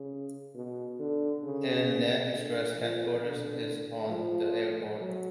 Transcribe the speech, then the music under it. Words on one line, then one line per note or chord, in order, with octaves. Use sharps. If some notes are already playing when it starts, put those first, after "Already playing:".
AirNet Express headquarters is on the airport.
Already playing: C#3
B2
D3
C#3
D3
F3
D3
F3
F#3